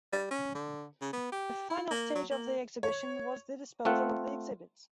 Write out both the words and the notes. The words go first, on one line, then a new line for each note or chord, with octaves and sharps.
The final stage of the Exhibition was the disposal of the exhibits.
G3
C#4
D3
C#3
B3
G4
E4
A#3
F#3
A#3
C#5
A3 C4 F4 F#5